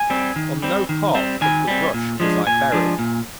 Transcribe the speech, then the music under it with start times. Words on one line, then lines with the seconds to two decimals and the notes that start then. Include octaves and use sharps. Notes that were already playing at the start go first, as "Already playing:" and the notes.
On no part of the rush was I buried.
Already playing: G#5
0.10 G3 C4
0.36 D#3
0.62 G3 C4
0.89 D#3
1.15 G3 C4
1.41 D#3 G#5
1.68 G3 C4
1.94 A#2
2.20 F3 G#3 D4
2.47 A#2 G#5
2.72 F3 G#3 D4
2.99 A#2